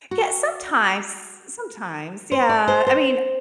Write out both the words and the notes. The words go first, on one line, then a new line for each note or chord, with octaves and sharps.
Yeah, sometimes, s sometimes. Yeah, I mean, uh,
F#4
C5
D5
C5
C5